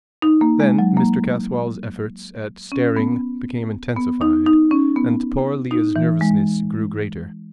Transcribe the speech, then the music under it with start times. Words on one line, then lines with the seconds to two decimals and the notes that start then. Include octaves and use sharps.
Then Mr. Caswall's efforts at staring became intensified, and poor Lilla's nervousness grew greater.
0.22 D#4
0.41 A#3
0.60 G#3
0.79 F#3
0.97 A#3
2.72 C#4
2.96 B3
3.96 B3
4.21 D#4
4.46 D#4
4.71 C#4
4.96 B3
5.71 D#4
5.96 E3
6.21 G#3